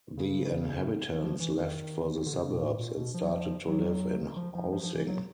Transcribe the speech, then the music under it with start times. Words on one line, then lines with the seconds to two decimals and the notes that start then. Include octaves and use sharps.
The inhabitants left for the suburbs and started to live in housing.
0.17 C#3
1.23 F3
1.40 E3
1.57 D#3
2.26 D3
2.34 C3
2.39 C#3
2.50 B2
2.62 A2
2.79 A#2
2.97 B2
3.14 F3
3.22 F#3
3.30 F3
3.67 F#3
4.37 F3
4.55 F3
4.72 F3
4.83 F3
4.95 E3
5.07 F#3